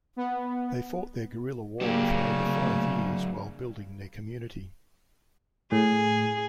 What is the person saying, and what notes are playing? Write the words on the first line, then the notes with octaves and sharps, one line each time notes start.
They fought their guerrilla war for over five years while building their community.
B3
C#3 F#3 A#3 D4 G4
D2 C3 A#3
A2 G#4